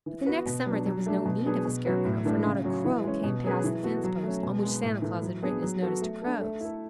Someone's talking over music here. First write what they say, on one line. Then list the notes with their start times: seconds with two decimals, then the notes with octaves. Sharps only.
But the next summer there was no need of a scarecrow, for not a crow came past the fence-post on which Santa Claus had written his notice to crows.
0.06 E3
0.26 B3 F#4 B4
0.46 B2
0.66 F#3 B3 D4
0.86 F#3
1.06 A3 D4
1.25 B2
1.45 F#3 B3 D4 G#4
1.65 B2
1.85 F#3 C#4 F#4 B4
2.05 A2
2.25 E3 A3 D4
2.45 C#3
2.64 F#3 C#4 F#4
2.84 E3
3.04 G#3 C#4
3.24 B2
3.44 F#3 C#4 G#4 B4
3.64 E3
3.83 B3 F#4 A4
4.04 F#3
4.23 A3 C#4
4.43 B2
4.63 G#3 B3
4.83 A2
5.02 E3 A3
5.22 F#3
5.42 B3 D4 G#4
5.62 F#3
5.82 B3 F#4 A4
6.02 A3
6.22 D4 A4
6.41 A3
6.61 E4 A4